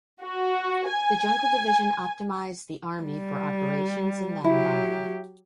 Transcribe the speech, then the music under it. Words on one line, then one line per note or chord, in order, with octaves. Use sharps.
The jungle division optimised the Army for operations in that environment.
F#4
G#5
G3
F#3 E4 G4